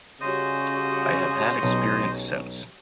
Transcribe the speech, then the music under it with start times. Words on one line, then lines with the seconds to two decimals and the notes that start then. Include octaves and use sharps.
I have had experience since.
0.21 C#3 G3 C#4 F#4 C5 D#5 D#6
1.63 B1